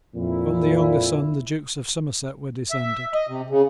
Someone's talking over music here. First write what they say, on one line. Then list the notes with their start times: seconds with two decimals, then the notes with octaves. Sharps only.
From the younger son the Dukes of Somerset were descended.
0.15 F2 A#2 E4
2.71 E5
3.14 D#5
3.28 C3
3.50 C#3